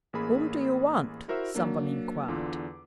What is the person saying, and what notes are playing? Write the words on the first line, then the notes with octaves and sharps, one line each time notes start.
"Whom do you want?" someone inquired.
A1 A#3 G#4 B5
E4 F#4 A#4 C5 E5 E6
F#3 A#3 D4
E2 D3 F4 D6